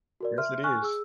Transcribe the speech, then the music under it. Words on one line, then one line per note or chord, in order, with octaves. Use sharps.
Yes, it is.
F#4 A#4 D5
E5 C6 F6
G#5 C#6 F6 F#6
G#4 E6